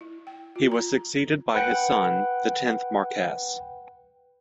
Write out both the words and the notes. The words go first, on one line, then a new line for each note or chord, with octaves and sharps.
He was succeeded by his son, the tenth Marquess.
E4
G5
F4
A#5
B4 F#5 G5